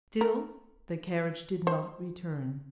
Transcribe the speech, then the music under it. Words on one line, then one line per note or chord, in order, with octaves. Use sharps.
Still, the carriage did not return.
A#4
C5